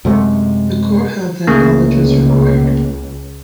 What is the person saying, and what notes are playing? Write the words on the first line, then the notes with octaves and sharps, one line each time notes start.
The Court held that knowledge was required.
F#2 C3 G#3 A3
C#2 C#3 A3 A#3